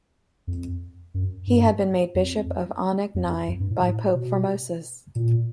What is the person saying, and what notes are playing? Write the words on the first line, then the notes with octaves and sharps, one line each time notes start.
He had been made bishop of Anagni by Pope Formosus.
F2
F#2
G2
F2
F2
F2
G2
A2
A2
B2
A#2